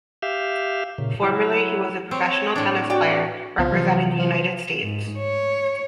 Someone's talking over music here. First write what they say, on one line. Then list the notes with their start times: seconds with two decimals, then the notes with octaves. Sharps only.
Formerly he was a professional tennis player representing the United States.
0.22 G4 E5 F5
0.98 A#2 C#3
1.22 F#3 E4
2.11 C4 C#5
2.56 A2 D4
2.90 F#4 D5 G5
3.58 C2 C#3 F3 B3
3.71 C3 E3 F#3
4.19 F3
4.83 G#2
5.20 C#5